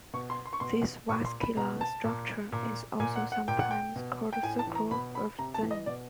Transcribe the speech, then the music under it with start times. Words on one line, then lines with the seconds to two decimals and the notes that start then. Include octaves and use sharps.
This vascular structure is also sometimes called "circle of Zinn".
0.14 B2 C#6
0.30 C6
0.46 C6
0.53 C#6
0.60 B2 C6
1.09 A#2 C#6
1.25 C6
1.41 B5
1.57 B2 A#5
1.81 A5
2.04 A#2
2.52 A#2
3.00 A#2 G#5
3.16 F#5
3.32 F#5
3.48 A#2 G5
3.59 F#5
3.71 G5
3.96 B2
4.33 G5
4.43 A2 G#5
4.59 A5
4.67 E3
4.75 A#5
4.91 B2 B5
5.15 B5
5.39 C3 A#5
5.54 A5
5.62 E3
5.71 D#5
5.86 B2 D5